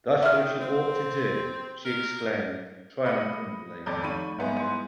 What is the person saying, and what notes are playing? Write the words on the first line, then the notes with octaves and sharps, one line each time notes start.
"That's what you ought to do," she exclaimed triumphantly.
D#3 E5 F6
C4
A#4
D#5 B5 C#7
G#1 F2 C#5 D5 B5 G6
F3 A3 D#4 B5 C#6 D#7
G#2 G3 G#3 B3 G#4
E4 C6